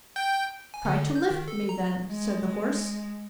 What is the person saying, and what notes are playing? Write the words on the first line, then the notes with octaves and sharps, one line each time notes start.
'Try to lift me, then', said the Horse.
G5
G#5
D3
G6
D#3
A4
A#5
G#3